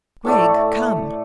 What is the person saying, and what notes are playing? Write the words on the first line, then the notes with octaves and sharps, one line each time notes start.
"Gregg, come."
A2 A3 D5